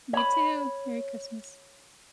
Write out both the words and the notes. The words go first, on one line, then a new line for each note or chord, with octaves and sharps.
You too, Merry Christmas.
C#5 B5